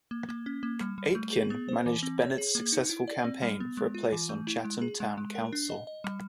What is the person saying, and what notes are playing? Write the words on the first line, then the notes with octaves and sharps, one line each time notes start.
Aitken managed Bennett's successful campaign for a place on Chatham Town Council.
A#3
A#3
C#4
A#3
G3
G3
A3
G#4
B3
C5
E3
C4
C#5
G#4
A#3
D#4
E4
D5
C4
G3
B3
G#3
F4
E3
A3
E4
G#3
G#4
G#3
G#3
A#4
D4
D#5
D#5
G3